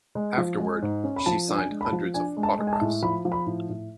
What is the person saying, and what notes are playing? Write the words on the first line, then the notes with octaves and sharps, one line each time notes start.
Afterward, she signed hundreds of autographs.
G#3
F3
G#3
G#2
C#4
B5
F3 A5
D4
G#5
G#3
B5
A5
F3
D4 G#5
G#3
A5
G#3
G#5
A5
A2
F3 B5
F3
B5
A2
A2